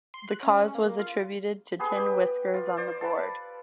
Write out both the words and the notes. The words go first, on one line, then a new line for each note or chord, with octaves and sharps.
The cause was attributed to tin whiskers on the board.
C6
F#6
C#4
A#3
F4
B3 G4 G#4 B4
G4
F4
C5 D5
A4 B4